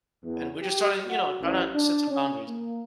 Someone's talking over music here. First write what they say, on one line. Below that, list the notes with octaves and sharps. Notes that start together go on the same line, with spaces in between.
And we're just starting, you know, trying to set some boundaries.
E2
G4
F#4
A1
D4
C#4
A#3